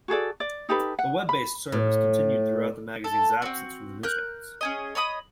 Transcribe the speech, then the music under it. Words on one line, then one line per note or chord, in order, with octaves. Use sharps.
The Web-based service continued throughout the magazine's absence from the news-stands.
F#4 G#4 A4 D5
D5
D#4 G4 A4 B4
F#5
B5
A2
A4
C4 F#4
A#4 F#6 G6
C#4 G#4 D#5
C#5 D#5 B5 D#6